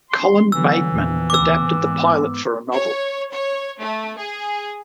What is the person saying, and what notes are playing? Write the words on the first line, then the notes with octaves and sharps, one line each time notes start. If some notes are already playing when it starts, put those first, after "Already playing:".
Colin Bateman adapted the pilot for a novel.
C6
D3 E3 F#3 B3 E6
E2 A#2 F3
D2 C#3 B3 D6 E6
G#2 A#3 B3
C#5
C#5
A3
G#4